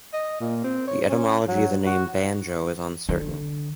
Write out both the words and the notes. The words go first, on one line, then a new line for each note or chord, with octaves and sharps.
The etymology of the name "banjo" is uncertain.
D#5
A#2
C4
C#5
C#4
F#3
F#4
D3